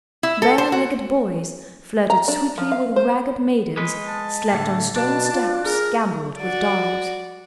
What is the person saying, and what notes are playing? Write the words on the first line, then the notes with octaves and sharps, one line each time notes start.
Bare-legged boys flirted sweetly with ragged maidens, slept on stone steps, gambolled with dogs.
E4
A4
C5
F#4
A#5
D4
F3
F5
C5
G#3 B4
A5
A2 D3
B2 D4 A5
F4
G#4 A#4
F#4 D5